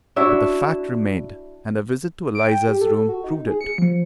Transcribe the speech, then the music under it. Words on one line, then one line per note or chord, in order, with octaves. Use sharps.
But the fact remained, and a visit to Eliza's room proved it.
D4 E4 F#4 E5
D7
G5
G4
A4
F#4
D#4
G#4
C#7
F3